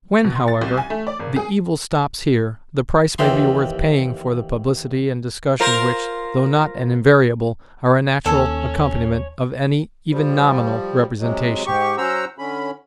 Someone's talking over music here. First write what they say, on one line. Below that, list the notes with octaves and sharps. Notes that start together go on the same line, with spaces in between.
When, however, the evil stops here, the price may be worth paying for the publicity and discussion which, though not an invariable, are a natural accompaniment of any, even nominal, representation.
B2
C6
A6
C2
G#5
A3
D5
G#1
G#4
D#2 E3 G4 C6
F4 A#4 C5
D#2 A4 C#5 G#5 G#6
F3 G3
C3 F#3 G#3
G#2 G4 C#6
F#3 C#4 C5 F#5 A#5 E6
D3 C#4 B5